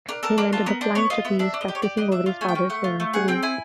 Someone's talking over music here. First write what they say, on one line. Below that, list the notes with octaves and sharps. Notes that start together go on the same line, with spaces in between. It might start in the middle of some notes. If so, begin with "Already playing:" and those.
He invented the flying trapeze, practising over his father's swimming pool.
D4 A#4
A4 A#4
D4 A#4
F4 A4
B3 A#4
D4 C5
B3 C#5
F4 D#5
B3 E5
D4 E5
D4
D#5
G4
C#5
G4 D5
D4 D#5
D4 E5
F4 F5
A3 G#5
G5
C#4
A3 F#5
F4
A3
G#4 F#5
C4 G5
E4 G#5